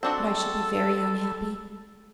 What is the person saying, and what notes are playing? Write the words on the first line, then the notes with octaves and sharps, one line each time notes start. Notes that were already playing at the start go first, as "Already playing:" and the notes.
But I shall be very unhappy.
C4 D4 F#4 A4